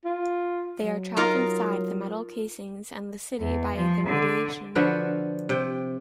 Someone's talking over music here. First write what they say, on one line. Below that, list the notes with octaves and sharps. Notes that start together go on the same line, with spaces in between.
They are trapped inside their metal casings and the city by the radiation.
F4
F#3
D#4 F4 A#4
E2
F3
D3
D3 F3 F#4 B4
C3 G5